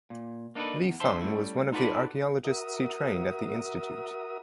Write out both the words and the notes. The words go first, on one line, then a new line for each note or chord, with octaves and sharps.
Li Feng was one of the archaeologists he trained at the institute.
A#2
A#3 D4 D#4 F#4 A4 B4
E2 A#2
D3 C5 E5 A5 C6
G3 A3 C#4 E4
D#4 F4 F#4 A4 B4 D5
F#4 A#4 E5 D#6